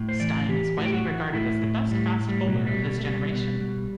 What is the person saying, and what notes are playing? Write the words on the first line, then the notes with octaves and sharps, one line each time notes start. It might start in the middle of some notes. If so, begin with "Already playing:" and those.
Steyn is widely regarded as the best fast bowler of his generation.
Already playing: A2
C5
E3 D5
E3 G4
A2 F#4
G4
F#4
E3
A2 E4
A2
A2 G3
A2
G3
B2 F#3
G3
B2
G3
A3
B2 G3
B2
B2